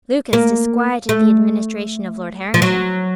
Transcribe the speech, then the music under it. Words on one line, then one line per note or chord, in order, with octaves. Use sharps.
Lucas disquieted the administration of Lord Harrington.
A#3
A3
F3
F#3